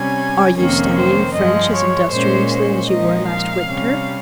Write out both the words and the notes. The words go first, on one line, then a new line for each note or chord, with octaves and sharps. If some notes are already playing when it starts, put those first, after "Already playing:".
'Are you studying French as industriously as you were last winter?'
Already playing: C3 G3 C#4 G#5
F2 C3 D#3 A#3 C#4
C5
G2 F3 G#3 D#5
C#5
A#2 G#3 C#4 C5
C5
A#2 F3 G#3 C4 D#4 D#5
F5
C3 G3 C#4